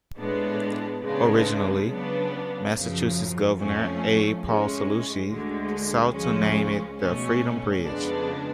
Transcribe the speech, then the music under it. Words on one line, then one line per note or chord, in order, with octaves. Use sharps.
Originally, Massachusetts Governor A. Paul Cellucci sought to name it the "Freedom Bridge".
A2 G#3 B3 D4
C#3 G#3 B3 D4
C#3 F#3 B3 D4
F#2 C#3 F3
F2 F3 A3 C#4
A2 G#3 C#4
D2 D3 G#3
C#2 C#3 F3 G#3 C#4
B2 A3 C#4
F2 C#3 G#3 B3 D4